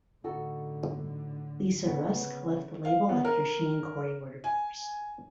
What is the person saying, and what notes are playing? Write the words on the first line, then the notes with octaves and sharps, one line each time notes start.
Lisa Rusk left the label after she and Corey were divorced.
A2 D3 D#4 F#4 A4
C#3 B3
F5
B3
A#4
G#5